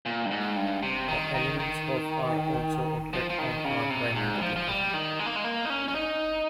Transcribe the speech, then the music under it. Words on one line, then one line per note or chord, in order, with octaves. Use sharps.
The elements of "R" also operate on "R" by multiplication.
A#2
G2
G#2
G2
C3
D#3
D#3
D#3
F3
F3
D#3
C#3
C3
G#2
G3
F3
F3
G3
D#3
G#3
A#3
G#3
A#3
D#4
C#4
C#4
D#4